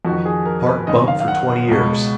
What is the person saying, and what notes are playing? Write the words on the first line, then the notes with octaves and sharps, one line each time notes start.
Park bum for twenty years.
F2 D#3 F#4
G#4
A#4
B4
F#2 D#3 D#5
F5
F5
F#5
C#2 B2